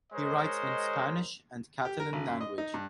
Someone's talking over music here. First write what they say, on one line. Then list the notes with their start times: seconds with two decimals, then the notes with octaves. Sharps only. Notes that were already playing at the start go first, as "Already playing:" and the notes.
He writes in Spanish and Catalan language.
0.13 G#3 A#4 C5 C#5 D#5
1.85 G4
2.00 A#4
2.13 G#1
2.28 F#2
2.41 D#5
2.58 D#4
2.74 G2